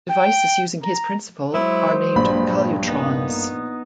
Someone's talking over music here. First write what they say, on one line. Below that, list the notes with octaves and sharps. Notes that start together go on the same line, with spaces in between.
Devices using his principle are named calutrons.
G5
A#5
F#3 G#3 E4 C5
A#1 G2 B5
A#3 B3 D#4